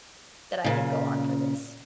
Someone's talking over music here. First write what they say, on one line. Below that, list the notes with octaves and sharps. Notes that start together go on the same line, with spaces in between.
that I can go on for this.
A#2 C#3